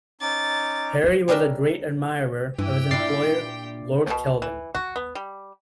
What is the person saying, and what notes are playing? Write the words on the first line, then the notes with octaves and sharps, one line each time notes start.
Perry was a great admirer of his employer, Lord Kelvin.
C#4 D#4 D6 A6
C#3 G3 D4 A#4 D#5 E5
G2 E3 G4 G5
A#2 D4 E4 D6 A6 C7
B2
E3
F#4
B3
G3